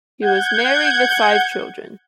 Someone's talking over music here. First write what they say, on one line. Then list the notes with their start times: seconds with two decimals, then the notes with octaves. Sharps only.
He was married with five children.
0.22 F#5 G6 G#6